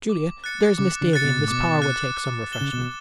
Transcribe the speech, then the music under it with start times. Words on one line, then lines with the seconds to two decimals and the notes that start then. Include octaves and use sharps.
Julia, there's Miss Daly and Miss Power will take some refreshment.
0.09 D6
0.44 F#6 A6 C#7
0.78 C#3 D6
1.01 D3
1.13 F#6 A6 C#7
1.25 B2
1.38 A2
1.48 B2 D6
1.82 F#6 A6 C#7
2.16 F#6
2.52 A6 E7 G7
2.61 C#3
2.73 B2